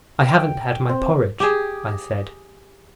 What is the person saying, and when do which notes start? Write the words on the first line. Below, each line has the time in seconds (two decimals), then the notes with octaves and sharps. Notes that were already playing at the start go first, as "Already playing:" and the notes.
"I haven't had my porridge," I said.
0.20 G5
0.89 C4
1.40 G4 G#4